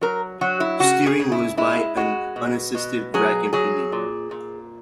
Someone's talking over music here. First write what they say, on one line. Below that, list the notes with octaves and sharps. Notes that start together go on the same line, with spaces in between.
Steering was by an unassisted rack and pinion.
F#3 A#4
F#3 F#4
E4
C#3 F#4
G#4
C#3
E4
G#3 E4
G#3 F#4
B2
B2
F#3 G#4
F#3 G#4
A#2
A#2